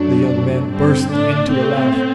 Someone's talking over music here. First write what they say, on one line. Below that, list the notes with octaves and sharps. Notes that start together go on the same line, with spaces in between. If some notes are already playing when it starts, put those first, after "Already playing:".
The young man burst into a laugh.
Already playing: F#2 F#3 A3 D4
F#2 F#3 A3
G2 D3 G3 C4
A2 A3 D4
A2 A3 C4